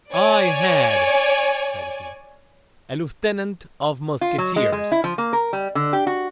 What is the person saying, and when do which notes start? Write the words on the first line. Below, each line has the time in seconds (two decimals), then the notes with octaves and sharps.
"I had," said he, "a lieutenant of musketeers!"
0.12 C#5 D5 G#5
4.21 F4
4.38 F#3
4.56 G#3
4.72 G#3
4.92 E4
5.04 F3
5.18 A#3
5.33 A#4
5.53 G3
5.75 D3
5.93 G4
6.07 F#4